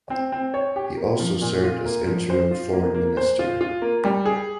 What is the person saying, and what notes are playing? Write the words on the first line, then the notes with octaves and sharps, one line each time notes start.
He also served as interim Foreign Minister.
C4
C4
C#5
G4
A#3
F3
A#2
F4
A#3
F3
C5
F4
A#3
A#3
C5
F4
F4
A#3
G3
G#4